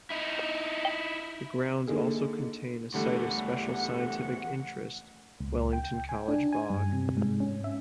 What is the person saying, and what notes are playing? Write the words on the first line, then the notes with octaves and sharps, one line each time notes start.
The grounds also contain a Site of Special Scientific Interest, Wellington College Bog.
D#4 E4
D3 A#3 D#4 G#4
E2 A2 D3 G3 A3 F#5
C#2
G5
G#5
D4
G#5
G2
C3
G#2
C#4
E5